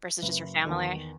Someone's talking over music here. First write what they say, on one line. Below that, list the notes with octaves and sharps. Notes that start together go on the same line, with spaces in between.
versus just your family?
F#1 B4
E2 D#3